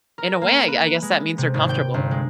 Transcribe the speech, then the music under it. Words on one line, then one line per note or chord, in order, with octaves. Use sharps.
in a way, I g I guess that means they're comfortable.
A#4
A#3
B4
G#3
C3
G#1
G5
G1
G#3